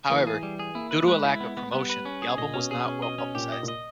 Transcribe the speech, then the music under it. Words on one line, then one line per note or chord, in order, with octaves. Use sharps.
However, due to a lack of promotion, the album was not well-publicized.
E3 A#3
G#4
G3
G#4
A#3 E4
B4
A#3
G#3 B4
E4
B3
B3
G3 B3
B4
C#4
G#4
A#2 D#5
B2 C#4
B2 G#4
C#4
D#5
C#4
A#2 G4
D#5
A#2
D#5